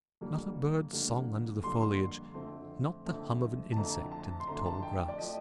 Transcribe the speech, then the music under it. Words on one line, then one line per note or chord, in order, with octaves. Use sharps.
Not a bird's song under the foliage, not the hum of an insect in the tall grass.
F2 D3 G3 A#3
F2 D3 G3 A#3
F2 D3 G3 A#3 C6
F2 D3 A3 C4
F2 D3 A3 C4
A5
F2 D3 A3 C4 A#5
A5
C6
F2 D3 A3 C4 A#5
A5
G5
D5
F3 A3 D#5